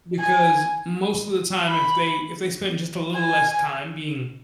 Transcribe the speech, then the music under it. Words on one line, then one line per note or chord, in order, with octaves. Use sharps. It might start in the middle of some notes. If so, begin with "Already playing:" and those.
Because most of the time, if they if they spent just a little less time being
G#5
B5
G#5